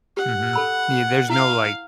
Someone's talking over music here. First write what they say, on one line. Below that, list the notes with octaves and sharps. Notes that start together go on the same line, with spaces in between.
mhm, yeah, there's no, like
G4 F#5
A4 B5 E6
E4 F5